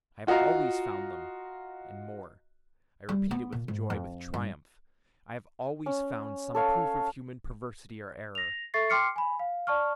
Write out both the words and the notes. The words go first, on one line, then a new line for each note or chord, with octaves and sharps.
I have always found them; and more,--I repeat it with joy, with triumph,--I have always found some proof of human perversity or error.
F4 F#4 D#5 F5 A#5
G3
B3
A#2
G#2
F2
G2
C#4
A4 C#5 F5 A5
A#6 F7
A4 E5 C#6 A6 C7
G5 C6 D6 F6 C7 C#7
G#5 B5
F5
D5 A5 C#6 F6